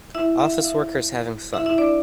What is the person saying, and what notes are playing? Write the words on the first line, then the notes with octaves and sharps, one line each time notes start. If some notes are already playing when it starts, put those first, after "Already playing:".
Office workers having fun.
E4 E5
E5
F5
E4 E5
E4 E5
E4 E5
D4 D5